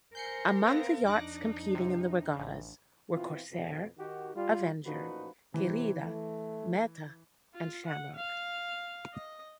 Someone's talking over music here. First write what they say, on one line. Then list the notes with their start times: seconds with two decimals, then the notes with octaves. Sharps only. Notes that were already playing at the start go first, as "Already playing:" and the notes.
Among the yachts competing in the regattas were 'Corsair', 'Avenger', 'Querida', 'Meta' and 'Shamrock'.
0.15 A#4 C5 G#5 G6 C7 C#7
0.66 B3 C4 F5 A#6
1.06 F2 D4 D#4 D6 F#6 A#6
1.75 C3
2.39 A1
3.11 B2 E3 C4 F4
3.51 F2 B2
3.97 D#3 F#4 G4
4.34 G3 F4
4.83 A1 A#2 F3 D#4 F#4 B4
5.54 C3 E3
6.04 A3
7.54 F4
7.86 F#5
8.16 F5
9.14 D#5